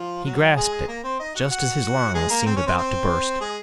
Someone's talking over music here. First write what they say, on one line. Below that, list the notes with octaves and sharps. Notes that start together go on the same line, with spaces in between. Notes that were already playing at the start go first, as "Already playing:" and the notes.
He grasped it, just as his lungs seemed about to burst.
Already playing: F3 F4
F#3 F#4
G#3 G#4
A#3 A#4
C4 C5
D#4 D#5
F#4 F#5
F#4 F#5
G#3 G#4
A#3 A#4
C4 C5
C#4 C#5
C4 C5
C4 C5
G#3 G#4